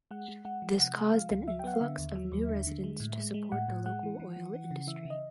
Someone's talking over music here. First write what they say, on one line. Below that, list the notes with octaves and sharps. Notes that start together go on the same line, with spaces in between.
This caused an influx of new residents to support the local oil industry.
G#3 F#5
G#3
G#3 F#5
F3
C3 F#5
G#3
F3 F5
C#2
F#3 E5
G5
B3 F#5
F5
D3 E5
D#2
F#3
D#2
D3
D3
G#3
A2
G#3
G#3
A2 F#5
A2
G#3 F#5
E3
E3
E3
E3
C#3
E3 E5
C#3
D#5